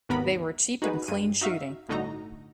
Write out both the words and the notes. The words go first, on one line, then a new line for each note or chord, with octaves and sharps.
They were cheap and clean shooting.
G#1 D#2 B3 A#4 B5
D#4 F#4 G#4 B4
G2 D#7
D#4 F#4 E5 F5
G1 A2 D3 D#4 F#4 A#5